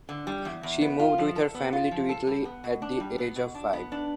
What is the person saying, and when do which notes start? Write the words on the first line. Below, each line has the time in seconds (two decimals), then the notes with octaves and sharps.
She moved with her family to Italy at the age of five.
0.09 D3
0.27 G3
0.45 E2
0.63 E2
0.82 B3
0.99 F4
1.18 F3
1.36 A4
1.54 B3
1.73 F4
1.91 F3
2.09 A4
2.27 G3
2.45 B3
2.64 B2
2.82 D4
3.00 G3
3.18 B3
3.36 B2
3.55 D4
3.73 B3
3.92 D4